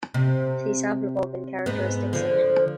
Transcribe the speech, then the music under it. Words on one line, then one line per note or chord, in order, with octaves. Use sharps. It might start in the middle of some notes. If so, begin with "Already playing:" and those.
See sample above in Characteristics Section.
C3
G#2 B3
D3 F3